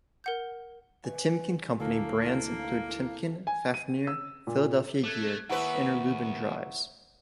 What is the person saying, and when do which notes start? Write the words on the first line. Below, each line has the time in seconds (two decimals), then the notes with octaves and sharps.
The Timken Company brands includes Timken, Fafnir, Philadelphia Gear, Interlube and Drives.
0.24 A#4 F#5 G6
1.04 B4 G#5
1.80 D2 A#3 E4 A4
3.47 G#5
3.74 D#7
4.07 E6
4.47 A#2
5.03 A3 D6 F#6 G#6
5.49 D#2 E4 B4 F#5 A#5 C#6